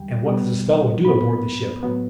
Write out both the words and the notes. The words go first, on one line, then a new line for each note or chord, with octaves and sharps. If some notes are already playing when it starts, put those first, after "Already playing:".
"And what does this fellow do aboard the ship?"
Already playing: E2 D3 G3 G5
B2 G3 B3
A2 F#3 B3 B5
A2 F#3 B3